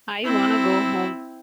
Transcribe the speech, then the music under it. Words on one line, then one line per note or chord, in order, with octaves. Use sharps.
I wanna go home.
C4 E4